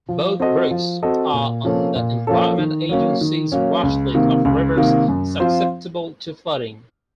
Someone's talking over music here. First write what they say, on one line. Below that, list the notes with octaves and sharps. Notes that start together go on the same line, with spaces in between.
Both brooks are on the Environment Agency's watch list of rivers susceptible to flooding.
F3
C4 F#4 A4 D#5
F3
C4 F#4 A4 D#5
A#2
F3 A#3 C#4 A4
A#2
F3 A#3 C#4 A4
D#3
F#3 A#3 C#4
D#3
F#3 A#3 C#4
C#2
C3 D#3 A#3
C#2
C3 D#3 A#3
F#2
F3 C4 F4 C5